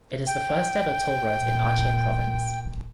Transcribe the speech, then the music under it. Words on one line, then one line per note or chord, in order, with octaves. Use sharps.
It is the first ever toll road in Aceh province.
G5
A#2